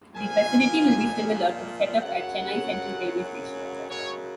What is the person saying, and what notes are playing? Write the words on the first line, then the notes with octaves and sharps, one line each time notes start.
The facility will be similar to the setup at Chennai Central railway station.
A#2 F3 G#5
F#2 C#3 F#3 F#5
F#2 C#3 F#3 C#5